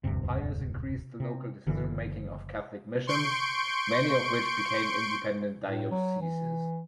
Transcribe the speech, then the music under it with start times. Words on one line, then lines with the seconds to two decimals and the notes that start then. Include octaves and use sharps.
Pius increased the local decision-making of Catholic missions, many of which became independent dioceses.
0.04 E1 D2 G2 C3
1.20 C3
1.67 F#1 D3 E3
3.07 C6 C#6 G6 D7
5.67 A2
5.91 F#3
6.21 E3